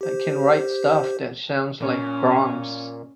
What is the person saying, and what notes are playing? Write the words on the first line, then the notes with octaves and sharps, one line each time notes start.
I can write stuff that sounds like Brahms.
G4 C5
A#2 C#4